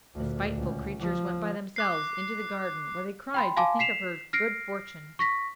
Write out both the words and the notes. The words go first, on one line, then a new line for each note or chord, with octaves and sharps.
The spiteful creatures went by themselves into the garden, where they cried to think of her good fortune.
D2 A#2
C#2
F3
D6 F#6 C7
G5 B5 C6
F5 G#5 A5 C6 D6
B6 C7 E7 F7
F6 A#6 C7 D7
C#6 A#6 B6